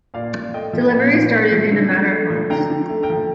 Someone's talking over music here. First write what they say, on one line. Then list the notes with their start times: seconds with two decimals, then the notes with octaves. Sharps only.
Deliveries started in a matter of months.
0.14 A#2 D5 F5
0.33 A#2
0.53 A3 D#5 G5
0.73 F3
0.93 A#2
1.13 A#2
1.33 A3
1.52 F3
1.72 D3
1.91 D3
2.11 A3
2.30 F3
2.50 D3 G5 A#5
2.70 D3
2.89 A3
3.03 G5 A#5
3.10 F3